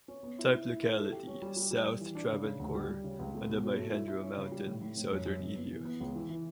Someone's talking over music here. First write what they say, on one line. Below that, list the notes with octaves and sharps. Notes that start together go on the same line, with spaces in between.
Type locality: "South Travancore, on the Myhendra Mountain", southern India.
C#4
B3
E4
E4
E4
E4
A4
G4
C#4
G3
G3
G3
G3
E3
D4
C#3
C#3
D2
G3
G3
C#3
C#2
A3
B2
F#3
A3
E4
E4
C#4
C#3
G3
A2
A2
A2
F#2
F#2
F#2
B3
E3
B3
C#2
E3
E3